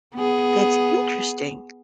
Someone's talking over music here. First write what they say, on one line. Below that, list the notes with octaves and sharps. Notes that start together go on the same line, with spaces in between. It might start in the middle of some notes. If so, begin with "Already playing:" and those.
That's interesting.
B3 G#4